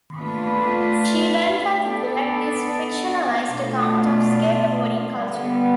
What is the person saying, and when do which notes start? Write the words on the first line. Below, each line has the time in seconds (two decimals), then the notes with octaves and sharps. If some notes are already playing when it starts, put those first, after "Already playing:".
She went on to direct this fictionalized account of skateboarding culture.
0.16 A3 D4 F4 B4
1.82 B3 D4 A4 D5
3.47 B2 A3 D4 F4
5.12 D3 G3 B3